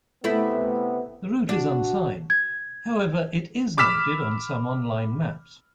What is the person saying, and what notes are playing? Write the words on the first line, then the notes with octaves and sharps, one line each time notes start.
The route is unsigned; however, it is noted on some online maps.
C3 A3 B3 E4
D4 F#4
G#6
B5 D6 E6 F6 B6 E7